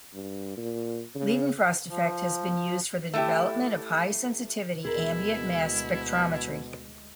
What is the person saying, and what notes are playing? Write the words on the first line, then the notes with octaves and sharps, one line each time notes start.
Leidenfrost effect has been used for the development of high sensitivity ambient mass spectrometry.
G2
A#2
C#3
F3
A3 E4 G4
D2 B2 G#3 E4 G#4 A#4